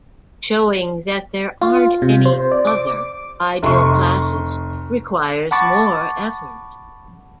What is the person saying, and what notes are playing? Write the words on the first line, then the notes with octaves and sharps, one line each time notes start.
Showing that there aren't any "other" ideal classes requires more effort.
F4
C3
C5
D5
D6
F1 C6 C#6
F#5 A5 B5 C#6 D6 A6